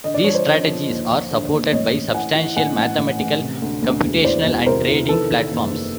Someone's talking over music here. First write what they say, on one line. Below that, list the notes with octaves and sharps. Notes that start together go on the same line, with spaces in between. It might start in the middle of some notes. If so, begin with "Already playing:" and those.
These strategies are supported by substantial mathematical, computational, and trading, platforms.
D3 D#5
D5
F3 C#5
C5 D5
D3
F3
D#2
F3
D3
D#2
A1 C#5 D#5
A1
E3 F#5 G#5
E3
A1 F#5 G#5
A1
A1
A1
C3
D2
D2
E1
E3 C5 D5
E1
C3 A#4 C5
E3
D#3 A4 B4
D#3
F#1
D#3